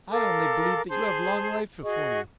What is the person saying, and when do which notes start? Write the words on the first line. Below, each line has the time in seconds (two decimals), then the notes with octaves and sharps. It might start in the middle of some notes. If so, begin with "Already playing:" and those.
I only believe that you have long life before you.
0.11 A4 A#4 F5 D6
0.89 G#4 C5 A5 C6
1.84 F#4 G#4 D#5 C#6